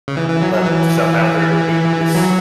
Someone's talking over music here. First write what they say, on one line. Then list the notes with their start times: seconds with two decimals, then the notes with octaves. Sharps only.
but somehow they're needing this
0.08 C#3
0.17 E3
0.29 E3
0.42 F#3
0.54 F#3
0.66 E3
2.15 F#3